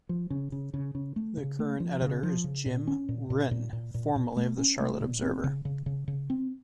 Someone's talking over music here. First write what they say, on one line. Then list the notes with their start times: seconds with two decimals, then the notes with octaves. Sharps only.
The current editor is Jim Wrinn, formerly of the Charlotte Observer.
0.09 F3
0.30 C#3
0.52 C#3
0.74 C#3
0.95 C#3
1.16 A3
1.37 C#3
1.59 A3
1.80 F3
2.02 C#3
2.23 F3
2.44 C#3
2.66 A#2
2.87 C#4
3.09 A#2
3.30 A#2
3.51 A#2
3.73 A#2
3.94 A#2
4.16 A#2
4.37 A3
4.58 C#4
4.80 A3
5.01 A#2
5.22 C4
5.44 C#3
5.65 C#3
5.86 C#3
6.08 C#3
6.30 C4